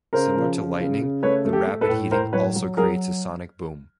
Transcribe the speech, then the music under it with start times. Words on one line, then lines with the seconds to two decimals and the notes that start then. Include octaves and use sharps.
Similar to lightning, the rapid heating also creates a sonic boom.
0.13 C#3 A#4 C5
0.36 F3
0.57 C#3
0.80 C#3
1.01 C#3
1.23 A3 B4 C#5
1.45 A3
1.53 G4 A4
1.67 A3
1.81 A4 B4
1.89 A2
2.11 A2 A#4 C5
2.33 F#3 B4 C#5
2.55 F#3
2.77 F#3 G#4 A#4